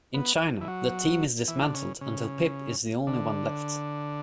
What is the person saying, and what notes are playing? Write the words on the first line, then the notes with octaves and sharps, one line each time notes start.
In China, the team is dismantled until Pip is the only one left.
B3
E3
F#3
E3
D3
C#3
C#3
D3